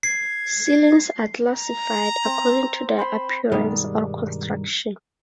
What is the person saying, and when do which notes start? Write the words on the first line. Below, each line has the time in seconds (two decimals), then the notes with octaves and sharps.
Ceilings are classified according to their appearance or construction.
0.03 G#6 C7
1.52 A#5
2.25 C4
2.99 C5 B5 C6
3.52 G2 B2 D#3 G3 G#3